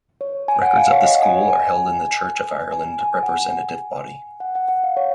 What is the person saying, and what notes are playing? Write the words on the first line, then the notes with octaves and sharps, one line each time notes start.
Records of the school are held in the Church of Ireland Representative Body.
C#5
G#5
F#5
F5
C#5
D#5
F#5
G#5
G#5
G#5
G#5
F#5
G#5
F#5
F#5
F#5
F5
C#5